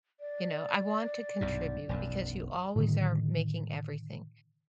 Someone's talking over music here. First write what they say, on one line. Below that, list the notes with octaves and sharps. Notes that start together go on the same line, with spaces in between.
You know, I want to contribute because you always are making everything."
D5
B1 G2 C3
E1 B1 F#2
A2 D3 D#3